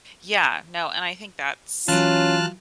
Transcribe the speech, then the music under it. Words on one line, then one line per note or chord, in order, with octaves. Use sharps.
Yeah, no, and I think that's
E3 F#3 C#4 F4 A5 F6 F#6